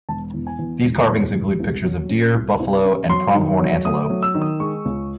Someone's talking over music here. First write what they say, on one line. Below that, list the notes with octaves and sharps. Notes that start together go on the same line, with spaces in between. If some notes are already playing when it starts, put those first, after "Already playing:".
These carvings include pictures of deer, buffalo, and pronghorn antelope.
E1 A5
E2
G#5
E2
E1
E2
E1
C2
F#3
C#4
C2
C2
C#4
F#3 C6
D#3
F#3
A3 D#6
F#3
E6
D#3
D#6
G#3 C#6
C#2